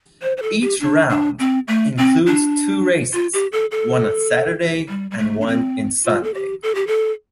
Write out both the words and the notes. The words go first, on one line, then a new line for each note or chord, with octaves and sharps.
Each round includes two races one on Saturday and one in Sunday.
C5
C5
A4
G4
D4
D4
C4
A3
C4
D4
F4
G4
A4
A4
G3
G3
A3
D4
C4
F4
A4
G4
A4
G4
A4